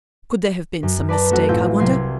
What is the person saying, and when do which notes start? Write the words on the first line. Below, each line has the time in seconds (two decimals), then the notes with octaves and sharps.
Could there have been some mistake, I wonder?
0.83 F#2
1.09 B4 D5 A5 A#5
1.31 A3 C#4 F#4 A4
1.49 A1 C4 E4 F4 E6 G6
1.79 C2 F#3 C6 G#6